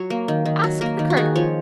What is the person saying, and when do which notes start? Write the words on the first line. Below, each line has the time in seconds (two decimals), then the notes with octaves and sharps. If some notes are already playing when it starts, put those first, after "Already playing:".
"Ask the Colonel."
Already playing: F#3 C#5
0.10 A#3
0.28 D#3
0.45 D#3
0.64 F#3
0.81 A#3 A#4
0.99 D#3
1.10 F#4
1.17 D#3 G#4
1.35 F3 C#5